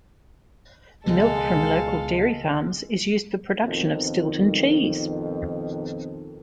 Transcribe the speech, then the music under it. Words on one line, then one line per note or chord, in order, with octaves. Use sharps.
Milk from local dairy farms is used for production of Stilton cheese.
C#2 B2 E3 G#3 A4 F5
F2 B2 D#3